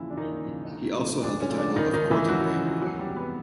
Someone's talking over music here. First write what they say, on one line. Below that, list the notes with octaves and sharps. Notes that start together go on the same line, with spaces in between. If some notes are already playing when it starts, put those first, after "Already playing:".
He also held the title of Court Engraver.
Already playing: D#2 C#3 E3 F3 E4
D4
D#2 D#3 D#4
C#3 F3
D2
C#3 F3 A3
D2 D4
C#4
C#3 F3 A3
D4
C#2 D#3 D#4
D#3 D#4
C#3 F3
E3 E4
C#2 F#3 F#4
C#3 F3
E2 F#3 F#4
G3 G4
C3 E3 G#3
B3 B4